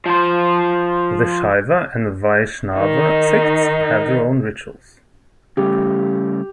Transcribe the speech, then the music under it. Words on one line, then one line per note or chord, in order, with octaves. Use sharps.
The Shaiva and Vaishnava sects have their own rituals.
F3 C5
D#3 D#4
C#3 G3 A3 G4